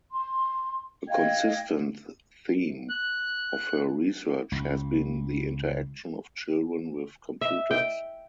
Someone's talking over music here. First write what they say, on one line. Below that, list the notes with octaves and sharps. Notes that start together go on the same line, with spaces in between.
A consistent theme of her research has been the interaction of children with computers.
C6
D#5 F5 G5 G#6
F#6
C#2
E5
G5